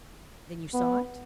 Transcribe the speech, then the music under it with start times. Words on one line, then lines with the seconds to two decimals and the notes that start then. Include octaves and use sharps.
"Then you saw it?"
0.74 B3